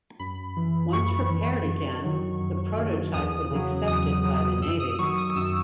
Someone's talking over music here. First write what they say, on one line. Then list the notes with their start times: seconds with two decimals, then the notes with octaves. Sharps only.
Once repaired again, the prototype was accepted by the Navy.
0.20 F#2 B5
0.57 E3
0.93 F#2 C#6
1.31 E3
1.67 F#2
2.04 D#3 F#3
2.41 F#2
2.78 D#3 F#3
3.14 E2 D#6
3.51 C#3 F#3
3.88 E2 D#6
4.24 C#3 F#3
4.61 F#2 E6
4.80 D#6
4.99 D#3 F#3 C#6
5.17 D#6
5.36 F#2 E6